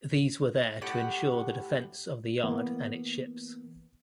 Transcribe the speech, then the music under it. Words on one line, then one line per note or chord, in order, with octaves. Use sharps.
These were there to ensure the defence of the yard and its ships.
A2 G4 F#5
E3 A#3 B3